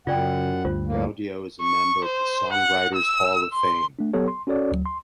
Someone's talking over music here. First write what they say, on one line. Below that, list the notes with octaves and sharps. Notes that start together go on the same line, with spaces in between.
Gaudio is a member of the Songwriters Hall of Fame.
F#2 C#3 F4 D5 F#5 G5
D2 G2 F4 C5
A2 A#3
C#6
C5
F#5
E6
C6
A3 D4
F#3 B3 G4 A4 C#5
C6
C#4 F#4 A4 C#5 D5
D2 F#3
C6